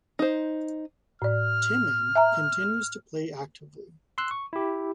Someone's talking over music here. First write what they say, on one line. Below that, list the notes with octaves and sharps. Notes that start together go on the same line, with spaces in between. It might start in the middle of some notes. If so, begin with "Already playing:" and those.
Timman continues to play actively.
D#4 C5
A2 D5 F6
E5 G#5 A#5
C6 E6 F#6
C#6
E4 G4